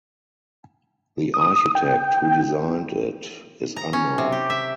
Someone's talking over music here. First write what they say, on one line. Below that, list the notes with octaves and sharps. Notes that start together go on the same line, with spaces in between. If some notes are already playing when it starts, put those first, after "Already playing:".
The architect who designed it is unknown.
D#6
G5
A#5
C#4
C3
G4
E5